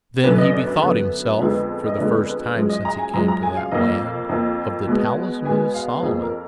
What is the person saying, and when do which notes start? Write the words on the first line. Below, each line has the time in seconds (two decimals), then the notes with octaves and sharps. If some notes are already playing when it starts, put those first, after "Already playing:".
Then he bethought himself, for the first time since he came to that land, of the Talisman of Solomon.
0.24 F#2 D3 F#3 B3 B4
0.38 D#5
0.53 D5
0.67 B4
0.82 F#2 D3 F#3 B3
1.39 F2 D3 F3 G#3 B3
1.86 D#5
1.98 F2 D3 F3 G#3 B3 D5
2.26 B4
2.56 F#2 F3 G#3
2.69 D#5
2.85 A#5
2.99 G#5
3.14 F#2 F3 G#3 A#5
3.28 A#5
3.43 G#5
3.57 F5
3.72 F2 F3 A#3 D#5
4.29 F2 F3 A#3
4.87 B2 G#3 B3
5.45 B2 G#3 B3 G#5
5.74 F5
6.02 F2 F3 A#3 G#4
6.23 A#4